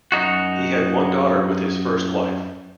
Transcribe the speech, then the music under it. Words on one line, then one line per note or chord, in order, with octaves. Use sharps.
He had one daughter with his first wife.
F#2 D#4 F#4